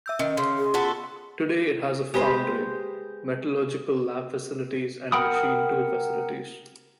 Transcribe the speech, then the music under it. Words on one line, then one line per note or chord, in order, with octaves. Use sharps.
Today it has a foundry, metallurgical lab facilities, and machine tool facilities.
E5 E6 G6
D#3 C#4 D#5
C#3 C6
G#4
B3 F4 F#4 A4
G#3 G4 B4 C5
A#4 F#5 G5 B5 D#6